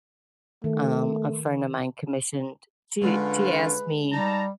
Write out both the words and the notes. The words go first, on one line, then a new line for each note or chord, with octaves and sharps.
Um, a friend of mine commissioned she she asked me
D#3 A3
D3 G#3 C#4 F4 G#4 B4 F5
G3 D#4 A5 A#5